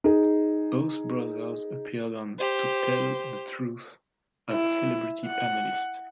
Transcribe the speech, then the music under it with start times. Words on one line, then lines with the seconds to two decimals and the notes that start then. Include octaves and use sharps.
Both brothers appeared on "To Tell the Truth" as celebrity panelists.
0.04 D#4 G#4
2.39 G4 C5
4.50 E4
5.27 F#5